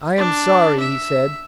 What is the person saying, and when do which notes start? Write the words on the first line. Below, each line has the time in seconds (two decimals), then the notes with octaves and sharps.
"I am sorry," he said.
0.18 D4
0.79 E5